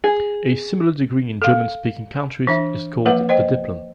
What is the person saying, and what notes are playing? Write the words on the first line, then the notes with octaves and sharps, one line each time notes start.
A similar degree in German-speaking countries is called the "Diplom".
G#4
A4 F5
E3 D4 E5
F3 A#3 B4 E5 F#5
C5 D#5 G5